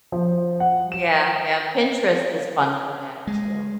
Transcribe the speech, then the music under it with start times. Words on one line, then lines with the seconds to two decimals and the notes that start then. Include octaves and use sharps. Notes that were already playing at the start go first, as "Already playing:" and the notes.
Yeah. Yeah, Pinterest is fun for that too.
0.12 F3
0.60 F#5
0.92 E7
3.27 G#3